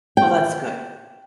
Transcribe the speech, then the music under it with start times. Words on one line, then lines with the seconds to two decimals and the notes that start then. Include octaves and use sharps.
Well, that's good.
0.17 G5